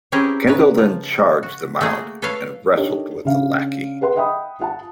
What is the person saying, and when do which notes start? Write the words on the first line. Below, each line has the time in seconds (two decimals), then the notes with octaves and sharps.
Kendall then charged the mound and wrestled with the Lackey.
0.12 C4 C#4 E4 G4 G#4 A#4
0.47 C#3 A#4 B4
0.78 F3
1.43 F#4
1.81 A3 A#3 F#4 G#4
2.22 A4 B4 C#5 E5 F5
2.75 D4 D#4 G4 A4 A#4 C#5
3.25 C#3 D4 F5
4.01 G#4 B4 F#5 C6
4.16 D#5 E5 F#5 G5 B5 D#6
4.60 F4 F#5 A5